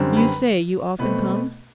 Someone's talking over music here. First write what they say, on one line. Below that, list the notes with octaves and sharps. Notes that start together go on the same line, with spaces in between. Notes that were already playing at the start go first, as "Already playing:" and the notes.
'You say you often come?'
Already playing: F#2 D3 G3 C4
B4
B2 A3 C4 B4